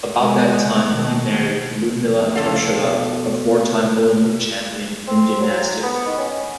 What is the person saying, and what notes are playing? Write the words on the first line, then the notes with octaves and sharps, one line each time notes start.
About that time, he married Ludmilla Tourischeva, a four-time Olympic champion in gymnastics.
G#3 B3
B2 D#3
F1
F2 C#3 A4 F5
B2
C4
F#3
B3
D#3
C#4